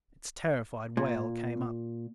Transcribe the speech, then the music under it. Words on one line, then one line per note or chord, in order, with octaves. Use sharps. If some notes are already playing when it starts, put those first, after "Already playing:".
Its terrified wail came up.
A#2